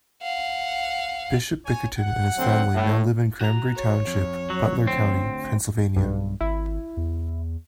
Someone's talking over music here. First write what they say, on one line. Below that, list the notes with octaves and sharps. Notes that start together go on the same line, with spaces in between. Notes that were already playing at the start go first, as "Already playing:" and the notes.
Bishop Bickerton and his family now live in Cranberry Township, Butler County, Pennsylvania.
F5 F#5
C#5 G#5
F#5
D2 F#3 C4
A2
F#4 A#5
C#5
F2
F#3
D2 C4
B1 G2
G#1 E4
E2